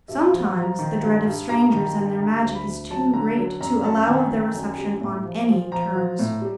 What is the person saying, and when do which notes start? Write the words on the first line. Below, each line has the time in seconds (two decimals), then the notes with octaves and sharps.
Sometimes the dread of strangers and their magic is too great to allow of their reception on any terms.
0.08 G2 E5
0.26 F5
0.32 F3
0.44 F#5
0.56 F3
0.62 A#5
0.79 D#3
1.03 G2
1.26 G2
1.49 G2 A#5
1.72 D#3
1.84 A#5
1.96 G2
2.20 D3 A#5
2.43 D2
2.55 B5
2.67 D2
2.90 F#3 A5
3.13 D3 A#5
3.38 F#3
3.61 F#2 A#5
3.84 F#2 A5
4.07 D#3 G#5
4.31 D#3
4.54 F#2
4.78 G3
5.01 A2
5.25 F3
5.49 F3
5.72 F3 A#5
5.96 F3
6.19 A2
6.42 G3